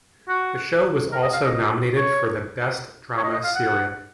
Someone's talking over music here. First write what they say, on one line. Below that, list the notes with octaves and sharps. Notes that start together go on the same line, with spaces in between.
The show was also nominated for the Best Drama Serial.
F#4
A#4
D#5
F5
D#5
C#5
C#5
D#5
D#5
F5
F#5